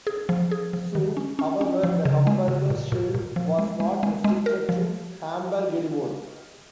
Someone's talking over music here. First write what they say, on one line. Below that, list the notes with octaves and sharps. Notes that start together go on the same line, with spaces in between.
Soon, however, the "Hamburger Schule" was not restricted to Hamburg anymore.
G#4
F3
G#4
F3
D#3
C#4
C#4
C#4
F3
C#3
G#3
C#3
A#2
A#2
A#2
F3
G#3
G#3
G#3
G#3
A#4
F3